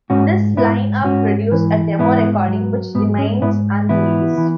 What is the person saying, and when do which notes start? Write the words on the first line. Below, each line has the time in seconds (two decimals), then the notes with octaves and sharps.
This line-up produced a demo recording which remains unreleased.
0.10 G#2 C#4 F#4
0.57 G#2 B3 E4
1.04 G#2 C#4 F#4
1.52 E3
1.99 G#2 B3 E4
2.48 F#3
2.95 G#2 B3
3.18 G#3 C#4
3.42 G#2 B3 E4
3.89 E3 B3 E4
4.38 E3